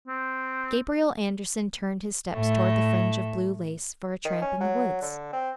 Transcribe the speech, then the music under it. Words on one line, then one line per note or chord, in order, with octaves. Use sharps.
Gabriel Andersen turned his steps toward the fringe of blue lace for a tramp in the woods.
C4
A2 A3
D#3
C#4
F#3
D3
C4